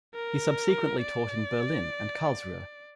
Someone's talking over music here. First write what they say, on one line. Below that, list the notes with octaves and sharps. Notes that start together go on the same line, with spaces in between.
He subsequently taught in Berlin and Karlsruhe.
A#4
D5